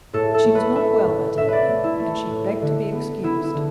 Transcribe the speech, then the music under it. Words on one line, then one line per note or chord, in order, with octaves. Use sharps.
She was not well that evening, and she begged to be excused.
A2 A4
A4
A3
B4
A3 E5
A2
A2 E5
B4 D5
A3
E4
A3
A2
D3
B3
B3 E4
E4
D3